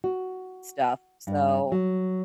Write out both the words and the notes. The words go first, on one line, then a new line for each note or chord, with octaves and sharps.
stuff so,
F#4
G2
F#3